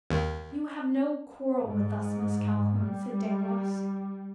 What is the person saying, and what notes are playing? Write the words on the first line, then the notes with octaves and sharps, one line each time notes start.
"You have no quarrel with us, Miss Calhoun," said Dangloss.
D#2
G#2
G3